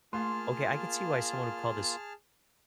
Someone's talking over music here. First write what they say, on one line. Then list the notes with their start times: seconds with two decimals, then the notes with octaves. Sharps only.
"Okay, I could see why someone would call this
0.13 A3 A#3 F4 G#4 A5 C6 F6